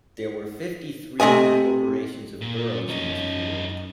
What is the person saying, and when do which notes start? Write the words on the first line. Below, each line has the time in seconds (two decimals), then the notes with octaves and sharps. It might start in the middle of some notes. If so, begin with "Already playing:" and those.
There were fifty-three incorporations of boroughs in this period.
1.20 C3 A3 D#5 G#5
2.41 A#2
2.89 F#2 C#4 D#4